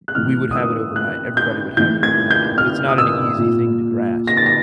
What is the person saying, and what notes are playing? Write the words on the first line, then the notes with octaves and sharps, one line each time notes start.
we would have it overnight, everybody would have it overnight, but it's not an easy thing to grasp,
F#6
A2 E3 F6
D#6
E6
F#6
G6
A2 E3 G6
G#6
G6
F6
D#6
E6
A#2
A#6
A6
A#6